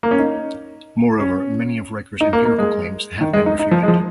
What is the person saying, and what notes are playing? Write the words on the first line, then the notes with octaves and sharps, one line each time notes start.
Moreover, many of Riker's empirical claims have been refuted.
A#3
C#4
D#4
C#4
D#4
A#3
A#3
G#3
D#3
G#3
D#4
D#4
F3
G#3
F3